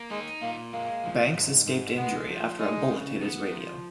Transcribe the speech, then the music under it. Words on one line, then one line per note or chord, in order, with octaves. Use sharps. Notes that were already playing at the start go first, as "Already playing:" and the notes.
Banks escaped injury after a bullet hit his radio.
Already playing: A#3
G#3 D#4
A#2 A#3
G#3 A#3
F3
G#2
G#2
G#3 B3
F3
G#3 D#4
C#3
B3
F3